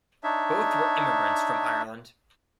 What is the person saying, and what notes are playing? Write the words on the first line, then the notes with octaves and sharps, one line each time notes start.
Both were immigrants from Ireland.
D4 D#4 C#5 E5